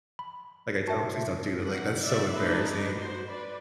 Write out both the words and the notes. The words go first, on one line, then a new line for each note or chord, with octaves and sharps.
Like, I tell him, "Please don't do that. Like, that's so embarrassing."
B5
F#4 A#4 E5 G5 A5
D#3 F#5
D5 E5
A3 D4 D#4 B4
F#4 C5
B4 D5